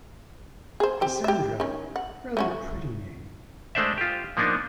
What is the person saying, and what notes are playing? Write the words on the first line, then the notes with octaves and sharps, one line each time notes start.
Cassandra; rather a pretty name.
G#4 C5
C4 G4
G4 E5
D#3 C#4
F#5
A3 C#4 F#4
G#3 A3 D4 C5 D5 E5
F4 G4
F3 A#3 B3 D4 D#4